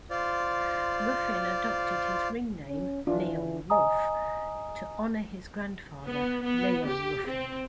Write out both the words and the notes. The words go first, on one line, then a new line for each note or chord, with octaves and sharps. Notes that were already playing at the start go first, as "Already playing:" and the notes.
Ruffin adopted his ring name "Leon Ruff" to honor his grandfather Leon Ruffin.
F4 C5 D5
C#4
E3 D4 F4
D#5 G#5 A#5 D#6
B3
B3
G4
C4